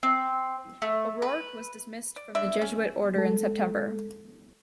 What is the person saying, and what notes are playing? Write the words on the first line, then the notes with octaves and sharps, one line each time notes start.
O'Rourke was dismissed from the Jesuit Order in September.
C4
A3
B4
D5
D3 D5 E5
C#4
G#3 A4